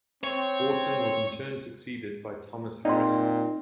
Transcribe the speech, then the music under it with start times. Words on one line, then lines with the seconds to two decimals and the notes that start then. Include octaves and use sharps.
Wharton was in turn succeeded by Thomas Harrison.
0.24 C4 C#5
2.85 A#2 C4 D#4 D5 C6